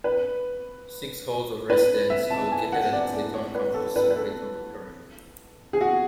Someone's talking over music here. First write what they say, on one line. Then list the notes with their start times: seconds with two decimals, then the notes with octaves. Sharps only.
Six halls of residence are located at the Clayton campus in Clayton, Victoria.
0.04 B4
1.70 B4
2.10 E5
2.30 A5
2.52 G#5
2.72 F#5
2.93 D5
3.13 D5
3.34 C#5
3.55 B4
3.74 A4
3.96 B4
4.11 B4
4.16 A4
5.73 G#4
5.81 F#4